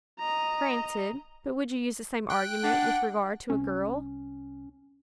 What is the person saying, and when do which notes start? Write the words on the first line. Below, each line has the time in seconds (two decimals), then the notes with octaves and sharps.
'Granted;--but would you use the same argument with regard to a girl?'
0.20 D#5 A#5
2.30 G5 F#6
2.63 D4 F#5
3.50 C2 C#4